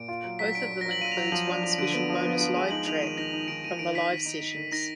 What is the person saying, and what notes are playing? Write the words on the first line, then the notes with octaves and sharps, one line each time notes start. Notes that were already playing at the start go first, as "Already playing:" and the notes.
Both of them includes one special bonus live track from the live sessions.
Already playing: A#2 D7
F4
F#3
F#3 B6
D4 D7
F#3
F#3 A#6
F#7
F4 D#7
F7
F#3
F7
F3 F#7
D4
F3 F7
D3 D7
D#7
B3 D7
F3
B3
F3
G#3 D#7
D#4 F#7
D#4 F7
D#3 D#7
D#4 A#6
D#4
D#3 D7
D#3 D#7
D#3 D7
D#3 B6
D#3
D#4
D#4
D#3
D#4 A#6